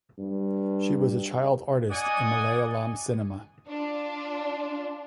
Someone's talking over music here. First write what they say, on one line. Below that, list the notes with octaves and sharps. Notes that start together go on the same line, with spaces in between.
She was a child artist in Malayalam cinema.
G2
D5 D#5 F#5 G#5 C#6 D#6
D4 F4